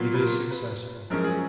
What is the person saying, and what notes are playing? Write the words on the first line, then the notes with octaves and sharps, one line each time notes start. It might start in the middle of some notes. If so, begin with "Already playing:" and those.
It is successful.
Already playing: A#2 F#3 B3 F4
B4
A#4
B4
F#2 F3 G#3 C#4 A#4
G#4